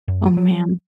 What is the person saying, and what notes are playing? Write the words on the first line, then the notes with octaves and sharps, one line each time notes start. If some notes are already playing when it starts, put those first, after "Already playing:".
Oh, man.
F#2
F#3